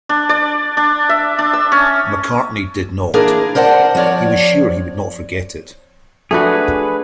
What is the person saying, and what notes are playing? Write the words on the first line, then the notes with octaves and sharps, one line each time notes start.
McCartney did not; he was sure he would not forget it.
D4
D5
D4
E5
D4
E6
C#4
E3 A#3 D4 G#4 A#4
A#4 C5 D5 F#5 A5
F3 C4 C#5 D5
A3 D4 F#4 G#4 B4